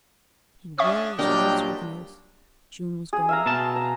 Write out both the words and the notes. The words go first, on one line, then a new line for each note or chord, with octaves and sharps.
He whirled his horse with an oath--June was gone.
C#4 D4 E5 C#6 D#6
A#2 F#3 G3 D4 A#4 D#5 G5
G#4
E5 F5 A#5
B2 A5
A#5